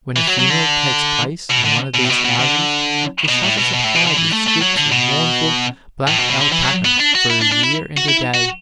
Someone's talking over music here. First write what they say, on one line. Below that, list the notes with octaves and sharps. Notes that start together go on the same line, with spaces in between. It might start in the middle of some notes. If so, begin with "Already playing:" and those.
When a funeral takes place in one of these houses, the shutters are tied with strips of mournful, black alpaca for a year and a day.
E3
F#3
F#3
D3
B2
D3
B2
A2
B2
B2
D3
B2
A2
B2
B2
A2
B2
D3
E3
A3
A3
F#3
D3
B2
A2
B2
B2
D3
E3
F#3
B3
D4
F#4
E4
D4
D4
E4
F#4
E4
F#4